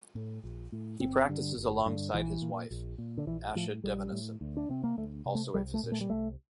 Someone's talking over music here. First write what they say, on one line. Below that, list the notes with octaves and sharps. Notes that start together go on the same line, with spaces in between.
He practices alongside his wife, Asha Devanesen, also a physician.
A2
A#1
A2
G1 C4
G2 D3
G1
G2 D3
A#1 E3
A#2
A#1
A#2
D3
A#1 E3
A2 F3
A#1 G3
A2
D2
D4
C3 C4
A#3
D2 A3
C3
A3
C2 G3
A3
A#2
A3
G3
C2 A3